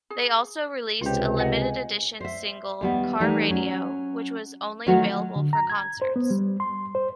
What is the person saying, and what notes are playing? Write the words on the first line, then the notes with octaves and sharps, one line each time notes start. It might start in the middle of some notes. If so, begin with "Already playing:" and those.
They also released a limited-edition single, "Car Radio", which was only available from concerts.
G#4
C#2 C3 F4 G4
D#5 F#5 G#5
C5 E5
D#2 G3 B3
E3 G3 A3 D#4
F#3 C#4
D#3 F#3 A3 F4 F#4 C#5
D3
A#5
G#6
C5
B3
G3
C6
C5